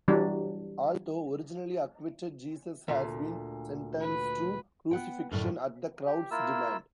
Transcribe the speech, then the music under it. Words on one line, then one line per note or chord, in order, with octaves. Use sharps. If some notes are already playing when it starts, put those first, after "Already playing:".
Although originally acquitted, Jesus has been sentenced to crucifixion at the crowd's demand.
E3 F#3 G3 D4
D2 A#2
B4
B3 F#5 G5
F#2 A2 D3
G4
A#3 E4 F4 E6